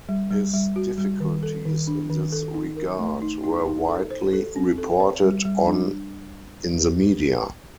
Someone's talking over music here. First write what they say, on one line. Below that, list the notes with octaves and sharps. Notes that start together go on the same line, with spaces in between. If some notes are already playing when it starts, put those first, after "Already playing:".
His difficulties in this regard were widely reported on in the media.
G3
G3
G3
F#4
G3
D#3
A4
D#3
D4
D#3
A4
D#4
A#4
A3
D#4
D#4
D#4
A4
C5
A4
C4
A4
C5
G3
G3
D4